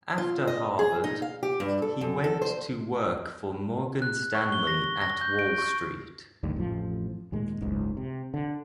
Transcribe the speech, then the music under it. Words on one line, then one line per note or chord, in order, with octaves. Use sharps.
After Harvard, he went to work for Morgan Stanley at Wall Street.
F4
D#5
G#4
D#4
F5
G4
G2
A4
F#2
A4
C5
F#6
C#6
G7
A#6
A#6
G6
D7
C#6
D2 G2 D#3
A1 F2 F3
D#2 A#2 G#3
F#1 C#2 G#2
C3
D3